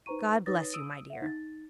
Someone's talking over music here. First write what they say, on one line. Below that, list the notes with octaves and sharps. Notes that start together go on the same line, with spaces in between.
God bless you, my dear!
D#4 B4 C5 A#5 C#6 D#7
D#4 B4 C#5 D#6 A6 A#6
D#6 E6 D7 D#7
E5 F#5
D#4 A6